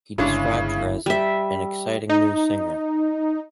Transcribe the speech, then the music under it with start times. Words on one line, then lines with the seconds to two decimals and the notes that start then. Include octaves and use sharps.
He described her as an exciting new singer.
0.18 G1 C#3 G#3 D4 E4 C#5
1.06 G3 E5
2.10 D#4